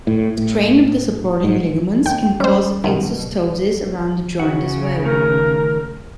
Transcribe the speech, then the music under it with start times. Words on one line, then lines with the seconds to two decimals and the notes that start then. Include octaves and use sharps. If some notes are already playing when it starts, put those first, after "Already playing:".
Strain of the supporting ligaments can cause exostosis around the joint as well.
0.07 A2
0.38 A2
1.44 G#2
2.06 D#2 G5
2.40 G3 C#4 C5
2.84 F#2 B2 D#3
4.40 C#3 F#4 E5 F#5
5.05 D#3 A3 D#4 A#4